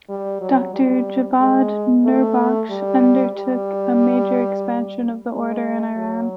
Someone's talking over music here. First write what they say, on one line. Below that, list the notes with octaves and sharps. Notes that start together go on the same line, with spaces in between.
Doctor Javad Nurbakhsh undertook a major expansion of the order in Iran.
G3
F#3
G3
G#3
A3
G3
G3
G#3
F#3